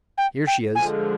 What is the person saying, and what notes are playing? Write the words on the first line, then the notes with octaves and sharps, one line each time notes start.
Here she is.
G5
G5
D3 F3 G#3 G#5